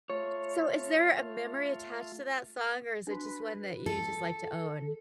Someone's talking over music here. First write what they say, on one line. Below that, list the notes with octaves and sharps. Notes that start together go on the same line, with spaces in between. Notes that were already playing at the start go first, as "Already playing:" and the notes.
So, is there a memory attached to that song, or is it just one that you just like to own?
A3 F4 C#5
D4 F#4 B4
A4